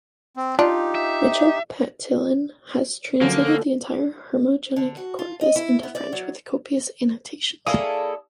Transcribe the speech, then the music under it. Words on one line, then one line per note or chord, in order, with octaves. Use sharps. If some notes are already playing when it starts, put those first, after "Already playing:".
Michel Patillon has translated the entire Hermogenic corpus into French, with copious annotations.
C4
D4 D#4 F4 G4
E5
D3 F3 F#3 A#3 C#4
A4
D3
F#4
F4
D#5
E4
B3
D5
F#3
A#3 E4 G#4 A4 C#5 D5 F5 D#6